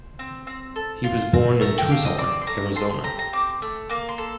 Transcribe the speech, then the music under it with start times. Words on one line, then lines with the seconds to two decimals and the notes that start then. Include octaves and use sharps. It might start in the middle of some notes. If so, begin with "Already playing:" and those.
He was born in Tucson, Arizona.
Already playing: C5
0.19 C4
0.47 C4
0.76 A4
1.04 F4
1.33 C4
1.61 A3 A#4
1.78 G5
1.89 G4 F5
2.05 D#5
2.18 C4 D5
2.41 C6
2.47 A3 A#5
2.75 A3 C6
2.90 C6
3.04 G4 A#5
3.19 A#5
3.33 C4 D6
3.62 A3
3.89 A#3 D6
4.09 C6
4.18 A4